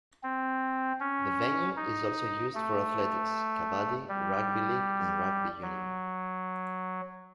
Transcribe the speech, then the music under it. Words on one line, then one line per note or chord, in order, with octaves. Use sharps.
The venue is also used for athletics, kabaddi, rugby league and rugby union.
C4
C#4
D#4
A3
G3
F#3